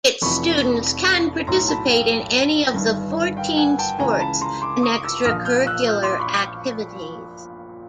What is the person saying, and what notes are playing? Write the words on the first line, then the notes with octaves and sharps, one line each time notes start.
Its students can participate in any of fourteen sports and extracurricular activities.
F1 F2 C3 E3 B5 C#6
B1 A2 F#3 A#5 C6
A5 B5
F5 G5
G1 G2 D#3
F5 G5
F#5 G#5
G5 A5
C#2 C#3 E3 G#5 A#5
A5 B5
A#5 C6
C6 D6
C#6 D#6
D6 E6
A#1 A#2 F3 D#6 F6
F6 G6
E6 F#6
F6 G6
C6 D6
B5 C#6